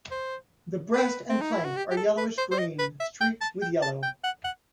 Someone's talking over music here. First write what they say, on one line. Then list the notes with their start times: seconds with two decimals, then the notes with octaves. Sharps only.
The breast and flank are yellowish-green streaked with yellow.
0.11 C5
0.93 B4
1.29 C4
1.41 D#4
1.53 E4
1.64 F#4
1.76 G4
1.91 G4
1.97 A4
2.17 B4
2.38 C5
2.51 C5
2.58 D#5
2.79 B4
3.00 E5
3.21 G5
3.41 A5
3.62 G5
3.82 A5
4.03 G5
4.24 F#5
4.44 F#5